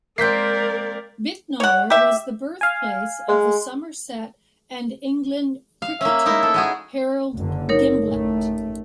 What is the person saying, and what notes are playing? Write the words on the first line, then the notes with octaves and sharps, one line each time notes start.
Bicknoller was the birthplace of the Somerset and England cricketer Harold Gimblett.
G#3 A#3 C4 A#4 D5 G6 B6 C7
C#5 F#5
G4 E5
F5 G#5
G#3
F5
A#3 C#4 E5
D#4 E4 A#4
A4
G#3 F#4 G#4
F#1 F#2 D3
D#4 A#4 C#5
A1 A3